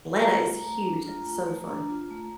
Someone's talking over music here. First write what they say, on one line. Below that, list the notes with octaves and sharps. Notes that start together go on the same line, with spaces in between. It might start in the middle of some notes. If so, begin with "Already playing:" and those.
Atlanta is huge, that's so fun,
A5
F4 A#5
A3
A3
D4
F4
A3
A3
D4
F4
A3